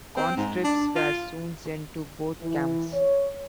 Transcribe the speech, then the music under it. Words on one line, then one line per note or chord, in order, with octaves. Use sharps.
Conscripts were soon sent to both camps.
C4
G#2
D4
F4
E3
C#5